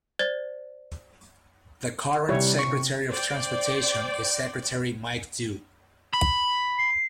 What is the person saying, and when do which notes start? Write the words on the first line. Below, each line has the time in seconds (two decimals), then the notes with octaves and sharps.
The current Secretary of Transportation is Secretary Mike Dew.
0.19 C5 D5 G#6 A6
2.29 C3 G3 E4 C#5
2.59 C#6
3.10 C5 D5 G5
6.13 B5
6.78 C7